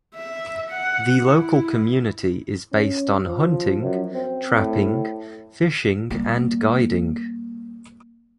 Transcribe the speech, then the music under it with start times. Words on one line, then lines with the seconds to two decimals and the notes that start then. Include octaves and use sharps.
The local community is based on hunting, trapping, fishing and guiding.
0.14 E5
0.70 F#5
1.25 E4
2.72 C#4
3.26 F3
3.82 F#2
4.14 C4
4.56 A2
6.10 G3 A#3